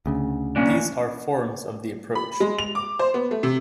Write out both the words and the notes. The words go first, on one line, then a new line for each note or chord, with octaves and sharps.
These are forms of the approach.
D2 C#3
A#3 C#4 D4
B5
G#3
F7
D6
C5
B3
A3
C3